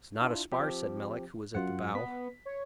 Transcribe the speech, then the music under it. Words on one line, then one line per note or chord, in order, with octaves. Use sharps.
"It's not a spar," said Melick, who was at the bow.
D4 E4 F4
F3 C4 G4
F#2 F4 F#5
B3 B6
C#5